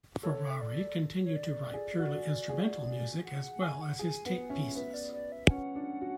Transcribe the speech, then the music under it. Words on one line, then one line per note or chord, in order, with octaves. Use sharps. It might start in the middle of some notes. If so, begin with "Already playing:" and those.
Ferrari continued to write purely instrumental music as well as his tape pieces.
A4 C#5
E5
D5
C#5
D5
G#4
F#4
G#4
F#5
F#5
G#5
F#5
G#4 G#5
B3 F#5
C#4 E5
B3 E5
D5
D5
E5
G#5
C#4 F#5
D4
F#4